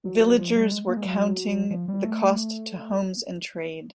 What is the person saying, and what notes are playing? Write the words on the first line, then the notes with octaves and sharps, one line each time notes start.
Villagers were counting the cost to homes and trade.
F#3
F3
F#3
F3
G3
G#3
A#3
G#3
F#3
F3
G3
A3